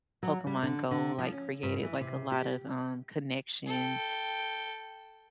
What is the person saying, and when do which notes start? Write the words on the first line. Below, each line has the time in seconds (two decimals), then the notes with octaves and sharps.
Pokémon GO, like, created, like, a lot of, um, connection
0.23 F#3
0.47 G3
0.63 D3
0.91 D3
1.18 F3
1.32 C#4
1.63 G2
1.83 E3
2.01 C3
2.32 G4
3.66 A4 G5